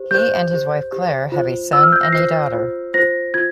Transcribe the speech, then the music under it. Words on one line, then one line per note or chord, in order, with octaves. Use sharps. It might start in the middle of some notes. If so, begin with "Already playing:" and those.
He and his wife Clare have a son and a daughter.
Already playing: G4 C5
G4 C5 G6
G4 C5
G4 C5
F4 C5
F4 C5 E6
F6
G6
A#6
F4 C5 C7
F4 C5
F4 C5 A#6
F4 G#6